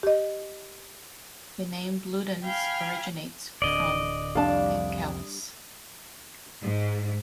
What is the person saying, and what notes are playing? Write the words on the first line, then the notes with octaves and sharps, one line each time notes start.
The name Bludenz originates from the Celts.
G4 D#5
F5 G5 G#5 B5 F6
D1 D3 D5 D#5
C2 F2 G3 D4 F5 A5
G#2